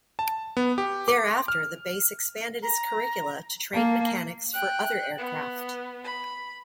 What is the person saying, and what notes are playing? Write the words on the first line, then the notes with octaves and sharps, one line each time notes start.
Thereafter, the base expanded its curricula to train mechanics for other aircraft.
A5
B3
G4
D6
F6
A#5
A#3 A5
G5 F#6
B3
B5